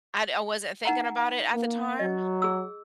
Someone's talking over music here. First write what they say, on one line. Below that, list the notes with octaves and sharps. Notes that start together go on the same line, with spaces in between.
I'd I wasn't thinking about it at the time.
D#4 F#5 A#5
A#3
F#3 D#5
G#4 E6